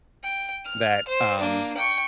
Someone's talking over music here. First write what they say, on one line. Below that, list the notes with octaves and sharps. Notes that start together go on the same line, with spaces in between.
that, um
G5
F6
C5
A#3 D4
G5 C#6